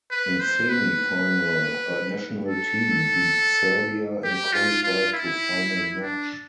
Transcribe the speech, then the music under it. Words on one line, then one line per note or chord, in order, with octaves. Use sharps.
In semi final her national team beat Serbia and qualified to final match.
B4
C5
B4
A4
G4
F4
F4
E4
D4